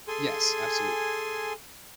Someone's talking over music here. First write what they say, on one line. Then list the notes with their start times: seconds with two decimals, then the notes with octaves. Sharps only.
Yes, absolute.
0.08 G#4 A4 G#5 C6